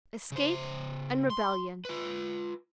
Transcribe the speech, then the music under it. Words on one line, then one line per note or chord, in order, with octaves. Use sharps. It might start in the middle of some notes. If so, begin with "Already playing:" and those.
Escape and rebellion.
C#3 C5
C6
F4 B4